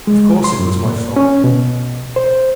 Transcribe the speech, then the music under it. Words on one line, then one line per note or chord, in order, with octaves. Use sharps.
Of course it was my fault.
G#3
C6
F#2
A#2
C#4
B2
C5